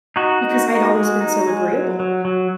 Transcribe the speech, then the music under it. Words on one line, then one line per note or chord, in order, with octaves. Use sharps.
because I'd always been so agreeable.
D#4 F#4
D#4
D#4
G#3
D#4
G#3
F#3
F#3
F#3